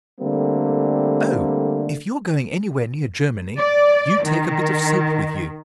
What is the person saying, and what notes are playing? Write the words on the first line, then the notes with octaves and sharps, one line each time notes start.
"Oh! if you're going anywhere near Germany, you take a bit of soap with you."
D3 G3 A3 A#3 C4
D5
D#3